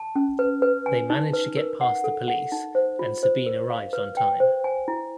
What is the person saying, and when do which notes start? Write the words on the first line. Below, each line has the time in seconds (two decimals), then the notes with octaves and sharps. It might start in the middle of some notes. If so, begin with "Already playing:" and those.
They manage to get past the police, and Sabine arrives on time.
Already playing: A5
0.16 C#4
0.39 B4
0.62 B4
0.86 G#5
1.10 D#4
1.34 B4
1.57 A#4
1.81 F#5
2.04 A4
2.28 F#5
2.52 D#4
2.75 C5
2.99 F4
3.23 C5
3.46 A#4
3.70 F5
3.93 B4
4.17 G5
4.40 C5
4.64 G#5
4.88 E4